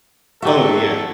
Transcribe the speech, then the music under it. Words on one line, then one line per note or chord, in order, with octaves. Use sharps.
Oh, yeah.
F#3 F#4 G4 A4 E5